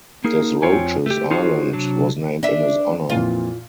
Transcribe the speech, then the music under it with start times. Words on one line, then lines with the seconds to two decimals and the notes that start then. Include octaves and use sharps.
Desroches Island was named in his honour.
0.24 A#3 D#4 G#4 A#4
0.62 F2 C4 F4 C#5 G5 G#5
1.06 A3 G4
1.31 D#4 F4 F#4 G#4 C5 C#5
1.73 C3 F#3 D4
2.43 D4 E5
3.10 F2 A#2 E3 F4